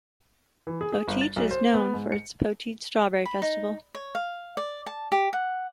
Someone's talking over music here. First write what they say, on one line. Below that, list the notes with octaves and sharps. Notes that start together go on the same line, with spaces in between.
Poteet is known for its "Poteet Strawberry Festival".
E3
G#4
G#4
G1
A6
B1
C5
B3
G#2
C#7
B5
D#4
C#5
F5
D5
A5
G4
F#5